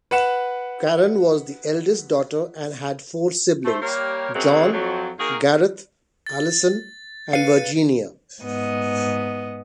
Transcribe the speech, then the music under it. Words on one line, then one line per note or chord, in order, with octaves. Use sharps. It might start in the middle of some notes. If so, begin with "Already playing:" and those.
Karen was the eldest daughter and had four siblings: Jon, Gareth, Alison and Virginia.
B4 F#5 E7
A3 C5
G3 A#3 G4 A#4 C#5
C#3 F#3 G#3 A#3 C4 C#4
F2 F#3
D#3 A#3 F#4 G#4 A#4
A6
B4 F5 C#7 D#7
G#2 B3 D#5